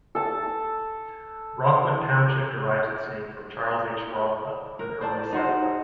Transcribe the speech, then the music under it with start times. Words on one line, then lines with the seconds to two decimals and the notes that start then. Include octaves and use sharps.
Rockwood Township derives its name from Charles H. Rockwell, an early settler.
0.15 A4 A5
4.79 A#4
5.01 C5 D5 A5
5.33 D#4 F#4 C5